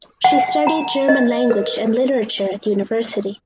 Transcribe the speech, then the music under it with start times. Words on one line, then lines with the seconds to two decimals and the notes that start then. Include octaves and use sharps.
She studied German language and literature at university.
0.24 F#5
0.67 A#5
1.08 D#5
1.50 B4